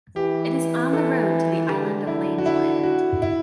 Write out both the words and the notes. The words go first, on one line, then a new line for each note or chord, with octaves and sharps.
It is on the road to the island of Langeland.
E3 G4
A4
D3 G4
E4
F#4
E4
F#4
E4